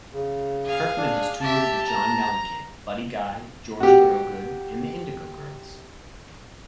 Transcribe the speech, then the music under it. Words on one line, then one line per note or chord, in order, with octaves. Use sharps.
Curfman has toured with John Mellencamp, Buddy Guy, George Thorogood and The Indigo Girls.
C#3
G#4 F5
D4
G4 E5 A5
A#5
F#4 G4